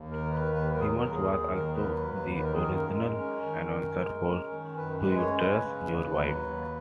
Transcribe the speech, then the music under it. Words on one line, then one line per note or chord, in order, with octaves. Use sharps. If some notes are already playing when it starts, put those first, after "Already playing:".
Reimers was also the original announcer for Do You Trust Your Wife?
Already playing: D#2
A#4
D#3
B4
D#2
B4
F#3 A#4
G#4
A#4
D#2
G#4
D#3
D#2 A#4
B4
F#3
B4
D#2
B4
D#3 B4
A#4
G#4
F#2 A#4
G#3
C#4
D#3
F#2
G#3
C#4
D#3
F#2 B4
B4
G#3
C#5
C#4
B4
C#3
D#2
F#3
D#2